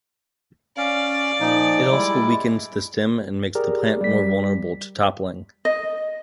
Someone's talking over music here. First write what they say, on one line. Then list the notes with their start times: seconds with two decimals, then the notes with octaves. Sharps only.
It also weakens the stem and makes the plant more vulnerable to toppling.
0.77 C#4 D5 F5
1.41 A#2 F3 D#4
1.91 G3 G#3 E4
3.55 G4 G#4 A#4 D5
4.01 G3 D5 B6
5.65 D#5